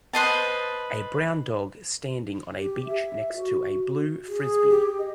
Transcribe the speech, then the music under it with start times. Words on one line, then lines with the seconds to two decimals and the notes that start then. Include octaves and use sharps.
A brown dog standing on a beach next to a blue Frisbee.
0.13 B4 C5 D#5 A5
2.57 G4
2.86 E5
3.35 F#4
4.27 G#4
4.70 G4
4.99 D#5